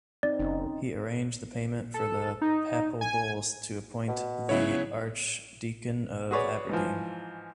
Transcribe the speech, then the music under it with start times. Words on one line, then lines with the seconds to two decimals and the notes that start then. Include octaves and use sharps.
He arranged the payment for the Papal bulls to appoint the Archdeacon of Aberdeen.
0.23 C4 D#4 D5
0.39 F#1 C#4 D#4
1.94 A4
2.41 D#4
3.01 G#5
4.08 B2
4.49 C#3 F#3 B3 E4 C#5
6.31 F#4 G#4 B4 C#5 D5
6.69 G#2 E3 F3